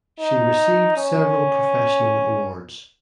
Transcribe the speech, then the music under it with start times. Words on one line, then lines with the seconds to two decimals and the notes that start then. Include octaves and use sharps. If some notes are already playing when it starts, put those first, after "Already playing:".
She received several professional awards.
0.20 D#4
0.97 C#4